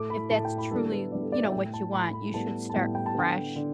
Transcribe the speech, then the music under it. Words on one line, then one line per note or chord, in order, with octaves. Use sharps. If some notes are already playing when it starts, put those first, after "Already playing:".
if that's truly, you know, what you want, you should start fresh,
Already playing: A2 A3 D6
B5
A2 A3 A5
G5
B5
D3 G3 B3 A4
B4
D3 G3 B3 D5
A4
D5
E5
A2 A3 G5
A5
A2 A3 B5
B5
A2 G3 B3 A5
A5
A2 G3 B3 G5
G5
A5
D3 B3 G5
D3